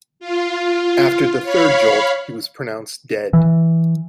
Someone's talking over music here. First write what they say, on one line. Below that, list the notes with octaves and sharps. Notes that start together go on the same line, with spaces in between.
After the third jolt, he was pronounced dead.
F4
C#5 F5 B5
E3